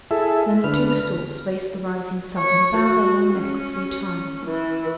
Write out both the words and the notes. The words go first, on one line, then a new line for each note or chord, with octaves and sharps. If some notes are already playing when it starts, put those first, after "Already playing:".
Then the two storks faced the rising sun, and bowed their long necks three times.
E4 G#4 A4 E5
D3 B4 F6
C#5
F#4
C#4
E3